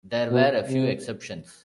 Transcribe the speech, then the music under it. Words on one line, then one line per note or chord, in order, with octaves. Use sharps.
There were a few exceptions.
B2
C3